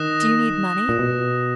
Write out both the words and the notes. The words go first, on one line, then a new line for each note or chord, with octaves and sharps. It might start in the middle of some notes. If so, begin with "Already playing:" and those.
"Do you need money?"
Already playing: D#3 D#6 F#6 A#6 E7
A#2
B2